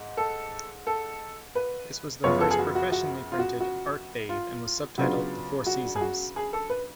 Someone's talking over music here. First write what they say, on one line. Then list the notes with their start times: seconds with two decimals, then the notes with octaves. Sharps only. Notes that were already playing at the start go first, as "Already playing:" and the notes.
This was the first professionally printed "Artbabe", and was subtitled "The Four Seasons".
Already playing: G#2
0.17 A4
0.87 A4
1.55 B4
2.24 F#2 C#3 F3 B3 F4 C#5
2.40 A4
2.51 G#4
2.59 F#4
2.75 F#4
2.92 F#4
3.32 F4
3.39 F#4
3.61 F#4
4.29 F4
4.98 C#3 F#3 B3 D4 F4 F#4
5.66 F#4
5.96 G#4
6.01 F#4
6.36 G#4
6.53 A4
6.70 B4